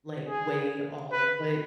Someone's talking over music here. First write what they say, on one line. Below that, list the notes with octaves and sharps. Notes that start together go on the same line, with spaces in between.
like, way all. But,
G#4
B4